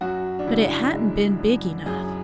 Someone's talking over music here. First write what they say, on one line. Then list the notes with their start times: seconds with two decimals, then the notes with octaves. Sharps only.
But it hadn't been big enough.
0.01 F#2 F#4
0.39 D4
0.47 C#3 E4
0.93 G#3
1.39 F#2
1.86 F#2 G#4